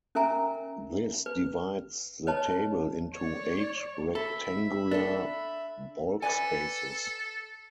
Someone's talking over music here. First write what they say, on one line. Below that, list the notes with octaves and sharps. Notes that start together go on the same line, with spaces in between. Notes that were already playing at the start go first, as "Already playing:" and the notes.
This divides the table into eight rectangular balkspaces.
C#4 A#4 E5 G#5 A#5
B4
B4 C#5 D#5 A5
C#5 D5
A4 E5 B5
D4 A4
A4 B4 D5 G#5